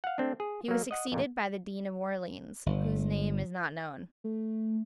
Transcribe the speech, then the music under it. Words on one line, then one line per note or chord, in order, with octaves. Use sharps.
He was succeeded by the Dean of Orleans, whose name is not known.
F5 F#5
A3 C4 D4
G#4
F#3 A#3
D#5 F#5
F2 A#2 C#3
G1
A3